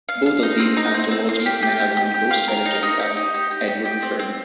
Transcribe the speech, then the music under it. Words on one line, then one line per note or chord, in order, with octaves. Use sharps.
Both of these anthologies may have been ghost-edited by Edward Ferman.
F5
F5
D#4
C4
D#4
C4
C4
F5
G4
G4
G4
G4
G4
F5
A#4
D#4
D#4
G4
D#4
G4
G4
G4
G4
C4
C4